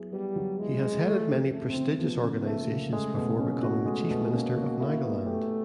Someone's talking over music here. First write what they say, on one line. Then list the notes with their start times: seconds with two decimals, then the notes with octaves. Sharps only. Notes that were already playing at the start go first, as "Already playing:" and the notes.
He had headed many prestigious organizations before becoming the Chief Minister of Nagaland.
Already playing: F#3 B3 E4 G#4
0.12 G3 B3
0.36 F#3
0.59 G#3 E4
0.83 G#4
1.06 F3 A3
1.29 C#3
1.53 A3
1.69 C4
1.76 C#3
1.99 F3 B3
2.23 C#3
2.30 B3
2.46 A3
2.61 A#3
2.70 C#3
2.93 G#3 A3
3.16 B2
3.39 A#3 C#4
3.63 F#4
3.86 G#3 A3
4.10 B2
4.33 A#3 C#4
4.56 F#4
4.80 A#3 E4
5.03 B3
5.26 A3 G4